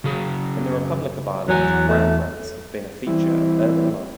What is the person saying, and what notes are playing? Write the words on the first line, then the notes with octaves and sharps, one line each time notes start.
In the Republic of Ireland ground rents have been a feature of urban life.
C#3 F#3 G#4
E2 F#3 G#5
A3
E3 G3 C4 E4